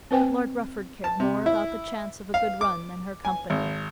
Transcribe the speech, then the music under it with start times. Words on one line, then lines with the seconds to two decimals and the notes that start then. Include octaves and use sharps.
But Lord Rufford cared more about the chance of a good run than her company!
0.11 C4 B4 C5 G5 G#5
1.04 A5
1.20 C3
1.46 E4
2.34 F5
2.61 D6
3.25 G#5
3.50 G#1